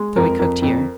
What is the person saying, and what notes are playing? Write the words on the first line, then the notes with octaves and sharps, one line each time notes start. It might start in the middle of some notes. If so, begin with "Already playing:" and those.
So we cooked here.
Already playing: G#3
F2 A#4
F2 A#4
F2